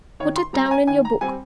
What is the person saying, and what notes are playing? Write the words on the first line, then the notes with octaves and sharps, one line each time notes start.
"Put it down in your book."
D#3 C#5
C6
G3 C4 A#5
A#5
G#5
D#3 G#5
A#5
G3 C4 G#5